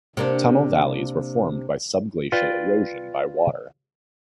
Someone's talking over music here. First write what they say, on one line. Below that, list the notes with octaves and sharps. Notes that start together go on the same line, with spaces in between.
Tunnel valleys were formed by subglacial erosion by water.
C3 A#3 D4
F4 B4 D5 G5